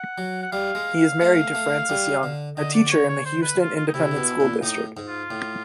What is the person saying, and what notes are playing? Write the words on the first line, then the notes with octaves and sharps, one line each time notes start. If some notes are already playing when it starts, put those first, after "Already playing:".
He is married to Frances Young, a teacher in the Houston Independent School District.
Already playing: F#5
F#3
F#5
G3 F5
G#3
A3
A3
G3
D3
D3 D#5
D5
C#5
C#5
C5
B4
F4
F4
D#4
C3 E4
C3
B2
A#2
A2 D#4
G#2
F4
A2